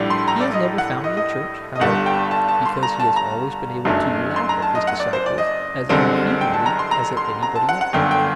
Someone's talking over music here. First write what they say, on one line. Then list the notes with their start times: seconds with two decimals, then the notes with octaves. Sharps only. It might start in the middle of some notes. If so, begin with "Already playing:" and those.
He has never founded a church, however, because he has always been able to laugh at his disciples as unfeelingly as at anybody else.
Already playing: A#1 A2 G3 D4
0.10 C6
0.28 A#5
0.40 D5
0.53 D#5
0.78 F#5
1.04 D#5
1.17 D#5
1.75 D#5
1.80 G1 G2 D3 G3 F#5
2.06 G5
2.31 A5
2.48 A5
2.65 C6
2.83 A#5
3.00 A5
3.16 A#5
3.85 F#1 F#2 F#3 A3 D4
4.36 C6
4.49 A#5
4.62 A5
4.75 D#5
4.87 F#5
5.00 D5
5.13 C5
5.26 D5
5.38 D#5
5.89 F#1 F#2 D3 G3 C4
6.41 G5
6.54 A5
6.66 A#5
6.79 C6
6.91 A#5
7.17 C6
7.43 A#5
7.56 A5
7.69 F#5
7.81 F#5
7.93 G1 F#2 D3 G5
8.11 G5